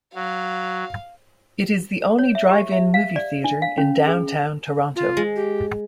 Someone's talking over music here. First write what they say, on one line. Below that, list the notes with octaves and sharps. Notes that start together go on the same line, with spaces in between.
It is the only drive-in movie theatre in downtown Toronto.
F#3 F5
C#5
E5
G4
E5
F5
D5
D4
F5
C#4
G#4
F4
G#3
G4